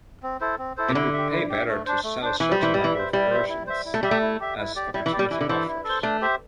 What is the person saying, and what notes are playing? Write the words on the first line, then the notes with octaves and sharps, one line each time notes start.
It would pay better to sell a certain number of Persians as opportunity offers.
C4
E4 A4 C5
C4
E4 A4 C5
C3
D3 E4
G4 E5
E4
G4 E5
A3
D4 C5
A3
D4 C5
E3 E4
G3
E3 C5 E5
G3 E4
E3
C5 E5
G3 E4
C5 E5
E4
C5 E5
E4
A3
G3 G4 E5
A3
E4
G4 E5
E4
G4 D5
G3 E4
E3
G4 D5
G3
E3 E4
D3
E3 A4 C5
E4
A4 C5
A3 D4
G4 C5 E5